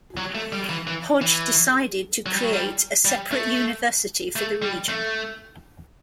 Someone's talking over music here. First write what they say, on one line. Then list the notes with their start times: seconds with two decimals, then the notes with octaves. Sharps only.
Hodge, decided to create a separate University for the region.
0.17 F#3
0.35 A3
0.53 G3
0.69 E3
0.87 E3
1.22 E3
2.26 F#3
2.35 G3
2.43 F#3
2.53 G3
3.05 G3
3.32 A3
4.36 A3
4.62 G3
4.89 A3